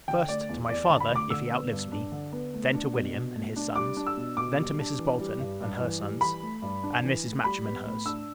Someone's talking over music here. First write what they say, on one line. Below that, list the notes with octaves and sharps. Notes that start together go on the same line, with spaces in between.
First, to my father, if he outlives me; then to William, and his sons; then to Mrs. Bolton, and her sons; and Mrs. Matcham, and her's.
D3 G5
A3 D5
E2
E2 D5
D3 A5
B5
A3
D6
D3 E6
B3
G2
D4
D3
B3
A3
D4
B2
B2
A3
D4
G3 D6
D4
E6
B2
B2 D6
G3
D4
E3
G3
G2
G2
E3
G3
E3 B5
A3
G2
D4
E3
A3
G3 B5
B3
A2
D4 E6